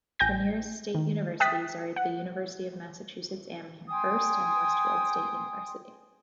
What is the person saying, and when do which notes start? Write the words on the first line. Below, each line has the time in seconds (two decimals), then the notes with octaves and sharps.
The nearest state universities are the University of Massachusetts Amherst and Westfield State University.
0.19 A1 G5 G#5 G6 A#6
0.95 D#3
1.40 E5 G5 D#6 F#6 A6 B6
1.96 F#5
3.88 G5 G#5 C6 D#6